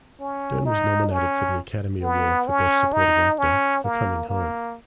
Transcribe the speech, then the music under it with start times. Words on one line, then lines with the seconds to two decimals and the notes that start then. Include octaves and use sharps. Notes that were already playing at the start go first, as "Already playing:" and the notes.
Dern was nominated for the Academy Award for Best Supporting Actor for "Coming Home".
0.20 C#4
0.66 D#4
1.11 C#4
2.02 B3
2.48 C#4
2.93 D#4
3.39 C#4
3.84 A#3
4.29 A#3